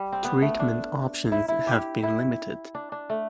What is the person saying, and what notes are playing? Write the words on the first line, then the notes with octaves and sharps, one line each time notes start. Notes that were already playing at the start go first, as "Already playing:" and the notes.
Treatment options have been limited.
Already playing: G3
C4
B3
A3
D4
E4
E4
G4
E4
D4
D4
A3